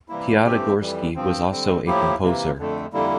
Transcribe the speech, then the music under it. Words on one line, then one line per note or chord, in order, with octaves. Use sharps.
Piatigorsky was also a composer.
C3 E3 G3 A#3 E4
G2 E3 A3 C4 G4
F2 E3 G3
G2 F3 C4
D3 G3 C4
A2 F3 A#3 E4 G4
C3 E3 A#3
F2 D3 A3
F2 D3 G3 A#3 E4